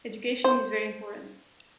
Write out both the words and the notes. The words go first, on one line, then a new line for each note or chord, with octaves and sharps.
Education is very important.
C5